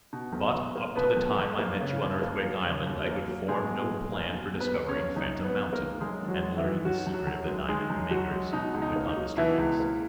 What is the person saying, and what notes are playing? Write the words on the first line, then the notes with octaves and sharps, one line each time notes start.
"But, up to the time I met you on Earthquake Island, I could form no plan for discovering Phantom Mountain, and learning the secret of the diamond makers," went on Mr. Jenks.
B2
B1
B1
A#3
B2 B3 B4
B1
B1
A#3
C#3
D#2
A#3
F#3
C#3
D#2
A#3
F#3
B2 G#3 G#4
B1
B1
A#3
B2
B1
B3 B4
B1
C#4 C#5
A#3
F#2 D#4 D#5
G#1
B3 B4
G#3
A#3 A#4
D#3
F#2 G#3 G#4
G#1
F#3 F#4
G#3
E3 E4
D#3
D#3 F#3 F#4
F#2
F#3 F#4
F#2
G#3
D#3 G#3 G#4
F#2
F#2 F#3 F#4
G#3
B2 D#4
C#2
D#4
A#3
D#4
F#3
B2 E3 E4
C#2
A#3